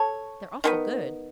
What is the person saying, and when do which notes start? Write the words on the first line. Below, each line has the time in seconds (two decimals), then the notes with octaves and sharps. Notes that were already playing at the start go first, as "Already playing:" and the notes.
"They're awful good."
Already playing: A4 C#5
0.64 D#3 G#3 B3